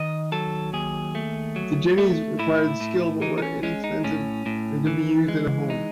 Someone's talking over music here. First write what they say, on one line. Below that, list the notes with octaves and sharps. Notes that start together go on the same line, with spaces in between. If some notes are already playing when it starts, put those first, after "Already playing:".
The jennies required skill but were inexpensive and could be used in a home.
Already playing: D#3 D#5
F#3 A4
D#2 G#4
A3
F#3
A3
A2 E4
A2
E3 D#4
D#4
C#4
G#3 C#4
D#4
A2 C#4
A2
E3
G#3
D#4